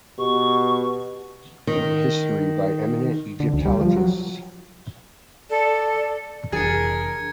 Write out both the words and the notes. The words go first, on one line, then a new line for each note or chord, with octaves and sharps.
History by Eminent Egyptologists.
B2 G4 C#6
D#3
D3
D2
G3
F3
F#3
A4 D5
F1 E3 D4 G#4 A#4 G#6 A6 C#7